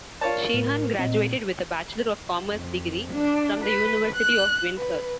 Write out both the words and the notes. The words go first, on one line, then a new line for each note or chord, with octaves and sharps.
Sheehan graduated with a Bachelor of Commerce degree from the University of Windsor.
F4 A#4 C#5 D5 A5
A2
A#2 C4 D#5
F2
D4
B4
F#6
B4